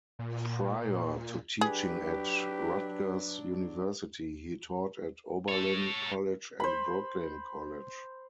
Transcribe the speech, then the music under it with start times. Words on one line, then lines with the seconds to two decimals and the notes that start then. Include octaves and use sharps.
Prior to teaching at Rutgers University he taught at Oberlin College and Brooklyn College.
0.19 A#2
1.61 F#3 D4 G4 G#4 B4
5.49 A4 C#5
6.60 C5 B5